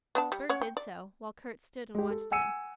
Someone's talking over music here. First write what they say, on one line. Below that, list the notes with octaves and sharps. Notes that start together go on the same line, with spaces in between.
Bert did so, while Kurt stood and watched him.
B3 D4 A5
G3
C#4 C#5 F#5
G5
D5
G#3 G4
A4
F#5 G#5 E6 C#7 D#7